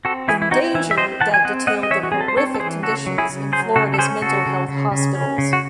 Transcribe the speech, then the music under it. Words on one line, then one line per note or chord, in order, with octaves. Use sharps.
In danger that detailed the horrific conditions in Florida's mental health hospitals.
C4 F#4 A4
E3 E4 G#4
E4
C4 D#4 F#4
E3 E4
E5
C4 C5 D#5
E3 F#5 A5
G#5
C4 D#5 F#5
C4 D#5 F#5
D#5
E3 C#5 E5
F#4
C4 G#4
A4
C5
C4 A4 C#5
A4
E3 G#4 C5
C#3 F#4 A4
F#3
E4 G#4
C#3
F#3 G#4 C5
C#3 F#4 A4
A4
C#4 G#4 C5
C#3 F#4 A4
C#3
C#3
C#3
C#4
C#3
F#4